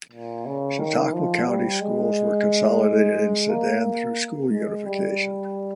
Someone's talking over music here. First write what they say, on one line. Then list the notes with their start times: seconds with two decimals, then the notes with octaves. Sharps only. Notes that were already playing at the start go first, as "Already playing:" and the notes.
Chautauqua County schools were consolidated in Sedan through school unification.
0.12 A#2
0.46 C#3
0.79 D#3
1.13 F3
1.47 G3
1.81 G#3
3.50 A#3
4.52 G#3
4.86 G3